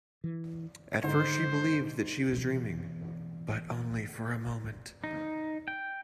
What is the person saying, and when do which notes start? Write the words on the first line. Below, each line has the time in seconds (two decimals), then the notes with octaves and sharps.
At first she believed that she was dreaming, but only for a moment.
0.24 E3
1.04 G#2 D3 D#4 C5
2.32 B2 E3
5.04 D#4
5.68 G5